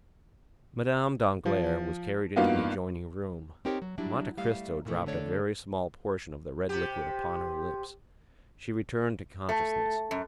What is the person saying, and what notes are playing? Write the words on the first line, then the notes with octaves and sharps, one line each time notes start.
Madame Danglars was carried into the adjoining room; Monte Cristo dropped a very small portion of the red liquid upon her lips; she returned to consciousness.
F3
G2 A#3 B3 D#4 F4 F#4
C4 D#4 G4 A#4 C#5
F#3
F#3 G3 D4 E4
G3 A3 F5
A#2 D#3 E3 A3
D3 A3 C#5 D5
C3 G4
A3
F#2